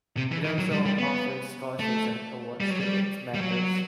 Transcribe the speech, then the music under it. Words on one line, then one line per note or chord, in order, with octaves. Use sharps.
It also offers scholarships and awards to its members.
C3
E3
E3
F#3
G3
G3
B3
A3
G3
F#3
G3
G3
F#3